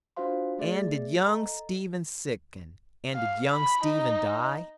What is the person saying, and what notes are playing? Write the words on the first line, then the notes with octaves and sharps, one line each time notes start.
And did young Stephen sicken, And did young Stephen die?
D4 F4 F#4 C5 F5 C6
A3 G#4 D5 E5 A6
A4 D#5 A#5
F5
B5
D#4